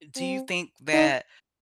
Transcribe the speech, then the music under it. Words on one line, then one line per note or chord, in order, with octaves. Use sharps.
d do you think that
C4
D#4